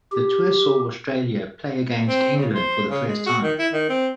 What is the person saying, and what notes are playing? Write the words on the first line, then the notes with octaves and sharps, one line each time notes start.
The tour saw Australia play against England for the first time.
G4
C4
C#3
C5
C#3
G#3
F#4
D#3
E4
D#3
C4